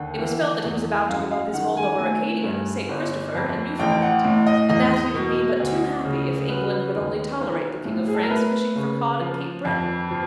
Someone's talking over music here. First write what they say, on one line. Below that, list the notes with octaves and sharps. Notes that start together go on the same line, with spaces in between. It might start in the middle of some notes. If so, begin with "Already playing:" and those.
It was felt that he was about to give up his hold over Acadia, St. Christopher, and Newfoundland, and that he would be but too happy if England would only tolerate the King of France fishing for cod at Cape Breton.
Already playing: D#2 D3
E3
E2
F#2 F5
F5
D#3 F#5
G#5
A3 G#5
G2
G1
F2
A1 G5
F#5
A2
D#5
E2 D#5
B2
D2
C#3
F#3 B4
D#2
B1
A2
G#4
A4
A#4
A3 B4
C#3
F3
F2
F3